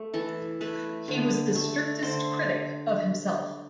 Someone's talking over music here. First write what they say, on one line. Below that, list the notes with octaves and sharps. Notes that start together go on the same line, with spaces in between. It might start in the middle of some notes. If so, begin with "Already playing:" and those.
He was the strictest critic of himself.
Already playing: A3
E3 A4
A3 B4
D3
A3
D3 C5